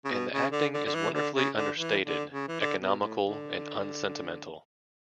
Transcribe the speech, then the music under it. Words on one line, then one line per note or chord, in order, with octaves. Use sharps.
And the acting is wonderfully understated, economical and unsentimental.
C#3
B2
C#3
D3
D3
D3
E3
D3
C#3
D3
E3
D3
C#3
E3
D3
B2
A2
D3